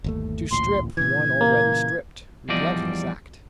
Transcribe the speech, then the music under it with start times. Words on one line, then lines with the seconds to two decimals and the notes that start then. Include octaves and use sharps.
To strip one already stripped--relentless act!
0.04 G1 D#2 A3
0.51 A1 D2 A#2 C6
0.97 A#2 C#3 E3 G#6
1.41 A#3
2.49 E2 F3 G3 D5 D#5